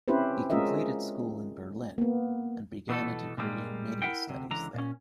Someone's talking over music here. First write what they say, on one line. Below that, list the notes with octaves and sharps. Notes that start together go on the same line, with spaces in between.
He completed school in Berlin, and began a degree in media studies there.
C4 C#4 E4 G4 B4 C5
G#3 C#4 F4 A#4 D#5 E5
A#3 B3
B2 E3 A3 A4
A#2 D3 D#3 G3 G#3 A#3
E4 A#4 E5 F#5 G5
D2 C3
C#2 D3 E3 A#5
A#2 C#4